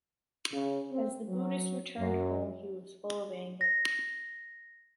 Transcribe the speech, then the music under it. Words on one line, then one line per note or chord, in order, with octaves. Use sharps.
As the Buddhist returned home, he was full of anger.
C#3
C4
F#3
F#2
A#6